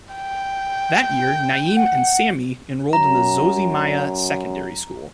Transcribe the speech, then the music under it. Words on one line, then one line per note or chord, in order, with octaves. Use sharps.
That year Naim and Sami enrolled in the Zosimaia secondary school.
G5
F#5
F#2 A#5